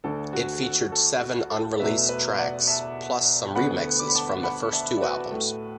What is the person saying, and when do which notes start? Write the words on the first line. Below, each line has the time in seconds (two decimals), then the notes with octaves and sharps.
It featured seven unreleased tracks plus some remixes from the first two albums.
0.04 D2 D3 A3 A4
0.33 F#4
0.63 F#4
0.92 A4
1.21 F#4
1.51 A4
1.79 E2 B2 A3 B4 E5
2.09 B4 E5
2.38 D5 F#5
2.67 E5 A5
3.55 D2 D3 B3 F#5 B5
3.99 D6
4.08 B5
4.15 A5 D6
4.43 F#5 B5
4.73 E5 A5
4.97 D5
5.02 F#4 B4
5.31 A2 A3